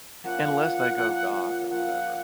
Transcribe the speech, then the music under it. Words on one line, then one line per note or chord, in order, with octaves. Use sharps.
unless they go goth, or whatever.
F3 A#3 C#4 F#5
F3 A#3 C#4
F3 A#3 C#4 F#5